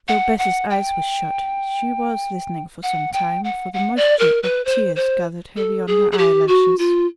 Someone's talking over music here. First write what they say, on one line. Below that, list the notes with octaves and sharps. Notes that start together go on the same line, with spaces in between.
Though Bessy's eyes were shut, she was listening for some time, for the moisture of tears gathered heavy on her eyelashes.
F#5
F#5
G5
F#5
G5
F#5
F#5
D5
A#4
B4
C5
C5
A4
G#4
G#4
G4
F#4
F4